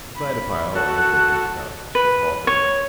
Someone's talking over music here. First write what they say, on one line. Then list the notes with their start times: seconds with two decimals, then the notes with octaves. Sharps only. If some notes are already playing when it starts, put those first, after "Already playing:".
Beside a pile of the silken stuffs she halted.
0.15 B5
0.75 F#4 A4 F#6
1.95 B4
2.47 C#5